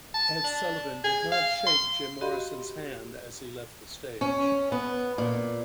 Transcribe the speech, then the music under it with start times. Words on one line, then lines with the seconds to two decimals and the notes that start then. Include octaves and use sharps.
Ed Sullivan did not shake Jim Morrison's hand as he left the stage.
0.14 A5
0.44 D4
1.04 G#4
1.32 F5
1.66 C6
2.21 F#4 G4 D#5 F5 B5 C6
4.21 C#4
4.72 B3
5.18 A#2